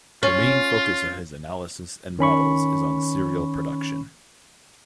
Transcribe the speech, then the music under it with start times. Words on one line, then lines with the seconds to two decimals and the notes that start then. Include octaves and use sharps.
The main focus of his analysis and models is on cereal production.
0.23 C#4 F4
2.19 D#3 C#4 B5 C#6